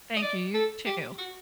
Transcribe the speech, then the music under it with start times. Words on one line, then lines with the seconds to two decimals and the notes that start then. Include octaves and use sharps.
Thank you, you, too.
0.17 D#5
0.22 D5
0.54 A4
0.86 G4
1.18 F#4